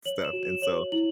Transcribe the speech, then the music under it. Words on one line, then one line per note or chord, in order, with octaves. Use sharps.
stuff, and so,
C#5 F#7
E7
F#4
E7
C#5 F#7
E4 F#7